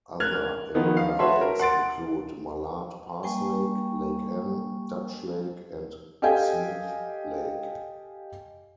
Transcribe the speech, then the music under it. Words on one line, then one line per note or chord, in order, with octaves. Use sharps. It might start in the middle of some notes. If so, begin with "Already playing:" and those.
Other area lakes include Mallard Pass Lake, Lake Ann, Dutch Lake, and Smith Lake.
A#4 F6 F#6 G#6 F7
D#3 F3 A#3 B3 D#4
F5
F#4 B4 C#5 E5 A5 C6
A#4
F#5 C6 A6 D7
G3 A#3 G5 G#5 C#6
G4 A4 D#5 F5 G5 G#5